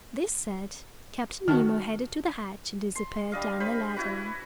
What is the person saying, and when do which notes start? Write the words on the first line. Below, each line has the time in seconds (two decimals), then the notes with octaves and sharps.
This said, Captain Nemo headed to the hatch and disappeared down the ladder.
1.48 D#3 F#4 A5 F6
2.95 C6
3.32 G3 D4 D#5 F5
3.60 C5 B5
3.96 E4 F#4 B4